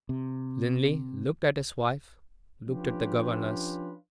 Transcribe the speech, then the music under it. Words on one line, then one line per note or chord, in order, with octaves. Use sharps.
Linley looked at his wife, looked at the governess.
C3
F3 C#4 D4 F4 G4 B4